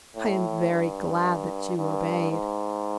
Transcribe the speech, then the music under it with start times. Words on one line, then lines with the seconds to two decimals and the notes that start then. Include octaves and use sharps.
I am very glad that you obeyed.
0.16 A2
0.71 G2
1.77 G2
2.31 G#2